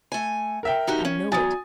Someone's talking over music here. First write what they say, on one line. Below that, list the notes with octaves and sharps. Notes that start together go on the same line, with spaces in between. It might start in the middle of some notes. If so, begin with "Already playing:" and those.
I know it.
A3 G#5
A#4 E5 G5
D#4 F#4 G4
C#4
E2 F#3 G#5 D#6 A6